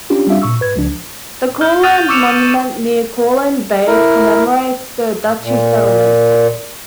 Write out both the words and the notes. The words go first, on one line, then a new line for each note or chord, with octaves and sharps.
The Courland Monument near Courland Bay commemorates the Duchy's settlements.
C#4 D4 F4 G4
G3 C4 D4 F4 E5 F5
A#2 C#6 E6
G#2 B4 G#6
C#2 F3 D4
F6 G6
D#6 F6 A6 D#7 F7
C#6 D6 E6 C#7 E7 F7
E4 A#4
A#2